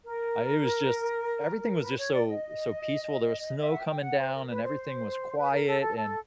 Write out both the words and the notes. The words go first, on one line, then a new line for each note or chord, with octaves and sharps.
uh, it was just everything was just so so peaceful, there was snow coming down and everything was quiet and
A#4
B4
C#5
D5
D#5
E5
F#5
G5
F#5
C5
A#4
B4
C5
B4
A#4
A4
A4
A4